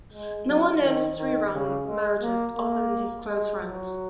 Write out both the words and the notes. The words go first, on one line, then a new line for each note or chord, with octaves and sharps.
No one knows Sriram marriages other than his close friend.
G#3
F#3
D#3
D#3
C#3
G#3
A#3
A#3
G#3
F#3